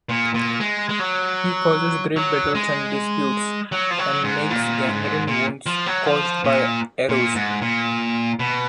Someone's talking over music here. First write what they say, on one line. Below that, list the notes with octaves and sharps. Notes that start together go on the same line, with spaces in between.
He causes great battles and disputes, and makes gangrene wounds caused by arrows.
A#2
A#2
G#3
G#3
F#3
F#3
G#3
F#3
F3
F#3
G#2
A#2
G#2
A#2
F3
F#3
F3
A#2
A#2
G#2
A#2
B2